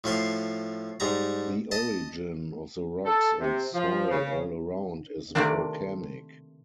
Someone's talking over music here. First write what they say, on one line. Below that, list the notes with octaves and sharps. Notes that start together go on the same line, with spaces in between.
The origin of the rocks and soil all around is volcanic.
A2 F3 F5 C6
G#2 G3 A#5
D#5 A5
A4
C3
F3
C#3
C3 D#3 A3 A#3 C4 D4